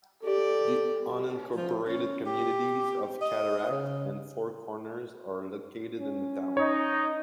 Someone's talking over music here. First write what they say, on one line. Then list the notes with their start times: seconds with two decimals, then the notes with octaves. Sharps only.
The unincorporated communities of Cataract and Four Corners are located in the town.
0.23 G4 A4 D5
1.56 F3
1.88 C#4
2.26 G4
3.21 D#5
3.71 C#3
5.99 C#4
6.57 D#4 C#5